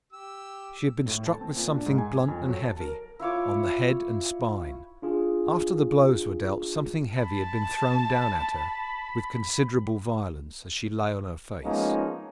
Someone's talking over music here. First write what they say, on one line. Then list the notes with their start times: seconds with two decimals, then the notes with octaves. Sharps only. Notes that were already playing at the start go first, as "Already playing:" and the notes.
She had been struck with something blunt and heavy, on the head and spine; after the blows were dealt, something heavy had been thrown down at her with considerable violence, as she lay on her face.
0.13 G4 E6
1.08 A2
1.26 A5
1.41 C4
1.57 A#2
1.74 D4
1.86 G#2
1.98 G#5
2.28 F2
2.46 F#3
2.63 A5
2.81 A#4
3.19 E4 F4 C#5 D6
5.02 D4 F4 G#4
7.16 A5 B5
8.10 B5
11.63 F3 G#3 A#3 B3 C#4 D#4